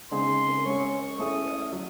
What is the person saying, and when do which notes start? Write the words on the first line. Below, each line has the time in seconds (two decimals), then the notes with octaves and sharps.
like, data or, like, uh,
0.11 C#3 G#3 C4 D#4 G#4 C6
0.65 G#3 C#4 G#4 C#6
1.19 A3 C#4 E4 G#4 D#6
1.73 F#3